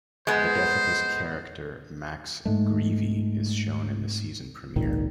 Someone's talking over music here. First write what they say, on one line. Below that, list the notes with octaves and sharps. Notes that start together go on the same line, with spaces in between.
The death of his character Max Greevey is shown in the season premiere.
G#3 B3 C5
G#2 G#3 A3
G#1 C#2 A#2 D#3